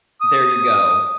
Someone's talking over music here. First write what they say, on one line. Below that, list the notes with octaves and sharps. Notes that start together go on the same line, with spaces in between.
There you go.
D#6